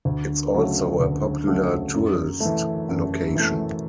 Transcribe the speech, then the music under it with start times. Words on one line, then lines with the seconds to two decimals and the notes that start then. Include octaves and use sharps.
It's also a popular tourist location.
0.05 D2
0.52 C#3 F#3 A3
0.99 D2
1.47 C#3 F#3 A3
1.94 F#2
2.40 E3 A3
2.89 F#2
3.35 E3 A3